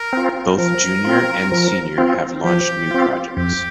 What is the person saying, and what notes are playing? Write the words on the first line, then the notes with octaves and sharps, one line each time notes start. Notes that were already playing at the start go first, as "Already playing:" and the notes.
Both Junior and Senior have launched new projects.
Already playing: A#4
C4 F4
F3 A#4
C4 F4
F3
C4 F4
F3 G4
C4 F4
F2 G4